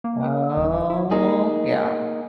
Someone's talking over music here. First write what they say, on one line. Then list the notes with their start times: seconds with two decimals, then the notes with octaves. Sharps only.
Oh yeah.
0.04 A#3
0.57 D#1
0.90 E4
1.11 D#3 A#3 D#4 G#4